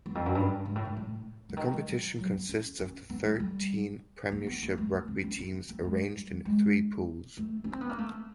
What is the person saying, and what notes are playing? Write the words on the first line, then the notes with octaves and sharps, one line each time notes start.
The competition consists of the thirteen Premiership Rugby teams arranged in three pools.
E2
F2
F#2
G2
G#2
A2
G#2
A2
D3
D#3
E3
F3
F#3
B3
C#4
C#4
B3
A3
G3
A#3
B3
A#3
A3
A#3
C4
C#4
C4
A#3
G#3
G3
G#3
A3
C#4
C4
B3
A#3
A3